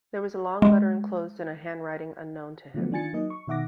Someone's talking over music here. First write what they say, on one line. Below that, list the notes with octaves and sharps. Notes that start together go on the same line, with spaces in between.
There was a long letter enclosed in a handwriting unknown to him.
G#3
D3 F3 F#3 A3 B3
D#3 D4 F4 G#5 A6 C#7
F#3 A#3 D#4 D#5
C#6
B2 D#3 E5 F#5 D6 A#6